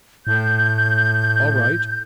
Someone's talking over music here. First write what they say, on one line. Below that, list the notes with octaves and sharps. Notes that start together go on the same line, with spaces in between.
'All right.
A2 G6